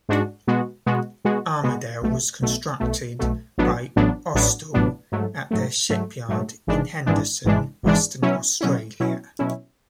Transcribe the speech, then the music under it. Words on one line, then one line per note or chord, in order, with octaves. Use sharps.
"Armidale" was constructed by Austal at their shipyard in Henderson, Western Australia.
G#2 G#3 D4 F#4
B2 G#3 B3 F#4
B2 G#3 B3 F#4
B2 G#3 B3 F#4
B2 G#3 B3 F#4
B1 B2 A3
B1 B2 A3
B1 B2 A3
B1 B2 A3
A1 A2 F#3 B3 D4
A1 A2 F#3 B3 D4
A1 A2 F#3 B3 D4
A1 A2 F#3 B3 D4
G#2 F#3 A3
G#2 F#3 A3
G#2 F#3 A3
G#2 F#3 A3
G#1 G#2 E3 G#3 D4
G#1 G#2 E3 G#3 D4
G#1 G#2 E3 G#3 D4
G#1 G#2 E3 G#3 D4
B2 F#3 C#4 E4
B2 F#3 C#4 E4
B2 F#3 C#4 E4
B2 F#3 C#4 E4